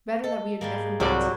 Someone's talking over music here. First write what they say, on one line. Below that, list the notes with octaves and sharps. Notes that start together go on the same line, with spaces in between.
Better that we had never met!
A4 D#5
G#2 G3 G#3 A#3
C2 F#3 G3 E4 G4 D5 B5